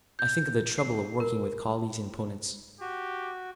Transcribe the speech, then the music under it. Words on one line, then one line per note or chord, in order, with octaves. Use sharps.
I think of the trouble of working with colleagues and opponents.
G6
C7
A#4
F#4 G4